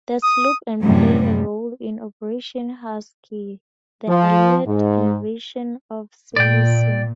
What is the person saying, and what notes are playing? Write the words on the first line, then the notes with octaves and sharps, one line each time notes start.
The sloops and played a role in Operation Husky, the Allied invasion of Sicily.
D#6
F#2 A2 C3 E3 G3
F3
G#2
A#2 D5 G5